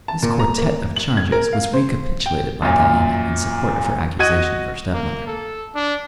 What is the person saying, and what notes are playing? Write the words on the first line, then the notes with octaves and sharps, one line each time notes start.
This quartette of charges was recapitulated by Diana in support of her accusation of her stepmother.
A5
A#2
A#5
A#3
F#7
G#6
A#4
F5
C5
G5
F#2 A#2
F#4 D#5 F#5 G#6 D#7
A#3
A4
D4